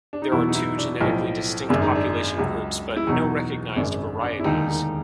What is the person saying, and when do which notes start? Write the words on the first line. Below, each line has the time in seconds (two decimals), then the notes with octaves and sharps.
There are two genetically distinct population groups, but no recognised varieties.
0.13 D4
0.22 D#4
0.32 E2 B2 F#3 E4
0.49 D#4
0.55 E4
0.78 D4
1.01 B1 A2 F3
1.69 G#1 F#2 C#3 D4
1.82 D#4
1.96 D4
2.38 C#2 C#3 F#3
2.97 E4
3.07 E2 B2 F#3 D#4
3.76 G#1 F#2 C#3 D4
4.21 D4
4.40 E4
4.44 E1 D#2 D3 D#4
4.68 D#4